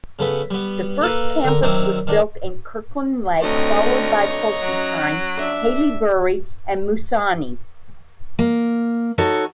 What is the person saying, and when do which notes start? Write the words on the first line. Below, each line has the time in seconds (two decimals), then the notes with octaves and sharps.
The first campus was built in Kirkland Lake, followed by Porcupine, Haileybury, and Moosonee.
0.19 C#3 A3 B3 B5
0.50 G3 B3
1.01 A#3 A4 B4
1.44 D3 A#4
1.63 D#3 F#3 C4 D4 E4
2.07 D#3 D4
3.43 D2 A3 C4 C#5 D#5 A#5
4.62 F#3 C#4 F#4
5.37 D4 E5
8.39 A#3
9.18 D#4 F#4 A4 C#5